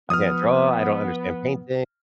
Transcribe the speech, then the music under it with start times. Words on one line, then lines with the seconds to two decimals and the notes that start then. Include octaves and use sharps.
I can't draw, I don't understand painting,
0.10 F3 B3 D#6 F6